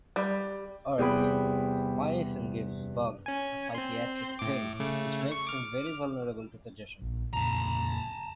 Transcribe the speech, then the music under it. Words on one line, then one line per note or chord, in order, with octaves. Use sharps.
Irked, Myicin gives Bugs a psychiatric pill which makes him very vulnerable to suggestion.
G3
E2 C3 G3 G#4 G5 B5
C#4 G#5
C4 C6
A2 D6
C#3 A3
C#6
D6 F6
A#1
F2 A#2 C#3 A5 A#5